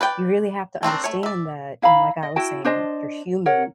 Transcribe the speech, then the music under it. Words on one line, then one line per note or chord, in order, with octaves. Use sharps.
"You really have to understand that," you know, like I was saying, "you're human,
B4 D5 G5
A3 C4 D4 A#4
A3 C#5
D5 E5
E4 F5 A#5 B5
D#5
E4 F#4 G5 A5
D4 C5 D#5 A5
A#4 C#5 F#5